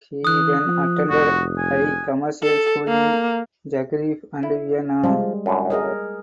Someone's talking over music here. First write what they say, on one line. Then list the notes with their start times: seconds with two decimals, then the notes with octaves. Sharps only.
He then attended high commercial school in Zagreb and Vienna.
0.25 E3 D#6 F#6
0.65 F3
1.10 F1 F#4
1.58 G#5
2.43 A4
2.88 A#3
4.43 E4
5.04 F3 G3 G#3
5.46 F#2 A2 D3
5.70 G#4 A#4 D#5